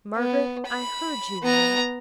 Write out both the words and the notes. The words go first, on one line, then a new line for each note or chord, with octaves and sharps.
'Margaret, I heard you were up.
B3
B5
B3 A#5